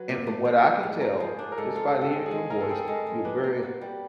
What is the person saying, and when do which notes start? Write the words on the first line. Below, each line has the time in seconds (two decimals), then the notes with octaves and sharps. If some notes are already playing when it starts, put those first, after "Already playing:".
and from what I can tell, just by hearing your voice, you're very
Already playing: F#3 B4
0.09 A#2
0.27 A3
0.45 F3
0.65 D4
0.83 G#2
1.01 A3 A#4
1.20 F3 G#4
1.39 D4
1.52 A#4
1.58 G#2 A4
1.76 F4 A4
1.95 C4
2.01 A4
2.13 G#3
2.26 G#4
2.31 G#3
2.50 F4 A#4
2.60 A4
2.69 C4 G#4
2.82 A4
2.88 G#3
3.07 G#3
3.25 D4 B4
3.44 A#3
3.63 F#4
3.81 G3